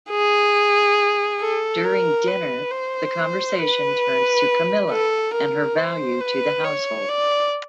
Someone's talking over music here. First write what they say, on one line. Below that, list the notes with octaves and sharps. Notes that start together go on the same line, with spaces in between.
During dinner, the conversation turns to Camilla and her value to the household.
G#4
A4
A#4
B4
C5
B4
A4
A#4
C5
B4
C#5
D5